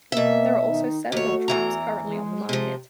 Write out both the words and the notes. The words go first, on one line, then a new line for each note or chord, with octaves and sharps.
There are also several traps currently on the market.
B2 A#3 E5
D#3 D#4
D#2 A3 F#4 C#5
E2 E3 A#5
G#3
C3 F3